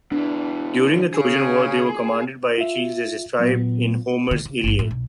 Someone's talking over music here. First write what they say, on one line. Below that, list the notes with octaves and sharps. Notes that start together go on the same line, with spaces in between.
During the Trojan War, they were commanded by Achilles, as described in Homer's "Iliad".
B2 E3 D4
C#3 G#4
F4 E5
A#2 F#3 B3
D3
C#3
G1 F#2
A2
B1